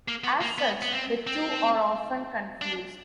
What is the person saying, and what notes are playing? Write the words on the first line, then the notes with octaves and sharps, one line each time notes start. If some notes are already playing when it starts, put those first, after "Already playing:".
As such, the two are often confused.
A#3
B3
A#3
B3
B3
C4
C4
D4